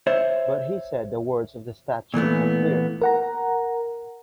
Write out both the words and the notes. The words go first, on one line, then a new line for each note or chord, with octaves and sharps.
But he said the words of the statute are clear.
C5 C#5 E5
A#2 E3 A3 B3
A#4 F#5 A#5